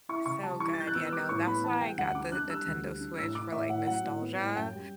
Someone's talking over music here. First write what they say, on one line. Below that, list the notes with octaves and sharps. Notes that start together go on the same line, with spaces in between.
So good. Yeah, no, that's why I got the Nintendo Switch for, like, nostalgia,
E4 C#6
C#3 C#6
G3 A5
E3 C#6
A6
E3 G6
F#6
B3 E6
E6
G3 D6
A2 C#6
B3 B5
E3 A5
G3 G5
D2 F#5
D4 D6
D4 F#6
G3 E6
D2
G3
D4
A2 E6
A2 D6
A2 E5
A2 F#5
F#3 F#5
A2
B3
A2
F#2 G5
G3